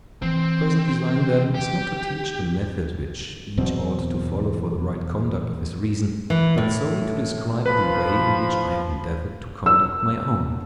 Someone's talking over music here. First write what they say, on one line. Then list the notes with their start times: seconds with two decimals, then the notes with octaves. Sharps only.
My present design, then, is not to teach the method which each ought to follow for the right conduct of his reason, but solely to describe the way in which I have endeavored to conduct my own.
0.22 E3 C4
1.54 G4
3.57 E2 B2 F#3 C4
6.30 E3
6.58 A2
7.66 F3 B4 B5
9.66 E6